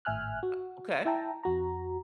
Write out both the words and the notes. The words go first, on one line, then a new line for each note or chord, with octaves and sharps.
Uh, okay.
G#1 A2 E5 G#5 F6 F#6
F#4
E4 E5 G5 A5 A#5
F2 F#4 A#5